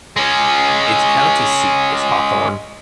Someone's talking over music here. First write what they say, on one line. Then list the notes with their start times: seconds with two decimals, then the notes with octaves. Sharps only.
Its county seat is Hawthorne.
0.17 G#3 C#4